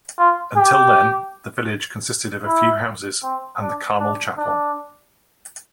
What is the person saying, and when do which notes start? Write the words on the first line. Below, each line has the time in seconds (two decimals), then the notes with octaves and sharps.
Until then, the village consisted of a few houses and the Carmel chapel.
0.18 F4
0.56 G4
2.46 E4
3.23 C4
3.61 D4
3.99 D4
4.37 D4